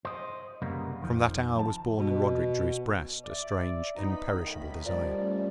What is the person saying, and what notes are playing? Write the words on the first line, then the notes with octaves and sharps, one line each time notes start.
From that hour was born in Roderick Drew's breast a strange, imperishable desire.
C5 D#5
C2 F#2 C#3 G3 A#3 B3
F2 D#3 F3
A5
B2
D5 E5
B3 D#4 A#5 B5 B6
B1 A2 D#3 D#5
F3 G3 A3 C#4 A#4 D5